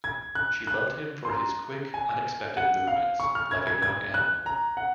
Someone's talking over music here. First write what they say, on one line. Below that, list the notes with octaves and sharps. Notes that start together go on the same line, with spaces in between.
She loved him for his quick, unexpected movements, like a young animal.
G#6
F#6
F#6
C6
A#5
G#5
F#5
F5
C#6
F6
G#6
G#6
G#6
F#6
A#5
F#5